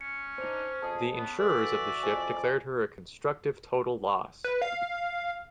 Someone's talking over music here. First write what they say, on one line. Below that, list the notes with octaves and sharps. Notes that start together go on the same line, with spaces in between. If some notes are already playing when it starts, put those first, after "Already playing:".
The insurers of the ship declared her a constructive total loss.
C#4 C#7
D4 D#4 C5
F2 G#4 A5 D#6
C#3 B3
E3 F#4 A4 D5 E5
F2 G#5
B4
F5